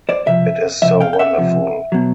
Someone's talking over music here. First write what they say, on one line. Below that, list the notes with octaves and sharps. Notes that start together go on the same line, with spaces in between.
It is so wonderful.
C5 D5
C#2 C3 F3 E5
C#2 C3 F3 E5
F5 G5
G5
E5 F#5
C#2 C3 F3
B2 F#3